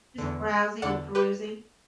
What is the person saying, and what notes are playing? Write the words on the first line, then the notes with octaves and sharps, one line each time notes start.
Just browsing and perusing.
E2 D3
E2 D3 D5 F#5
G4 B4